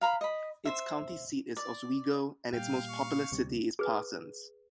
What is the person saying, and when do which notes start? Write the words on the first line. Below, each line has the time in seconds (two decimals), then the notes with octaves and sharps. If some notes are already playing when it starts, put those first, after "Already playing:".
Its county seat is Oswego, and its most populous city is Parsons.
0.01 F5 A#5 B5
0.21 D#5 B5
0.65 C5 E5
1.57 D5
2.53 A#2 G3 F5 G5
2.89 C#6
3.32 D2 C3 G3
3.79 G#4 B4